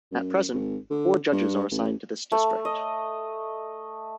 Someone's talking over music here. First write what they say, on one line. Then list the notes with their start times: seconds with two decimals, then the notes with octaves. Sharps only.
At present, four judges are assigned to this district.
0.12 F#2
0.54 G#1
0.90 D3
1.32 G2
1.71 A1
2.32 A3
2.65 D#5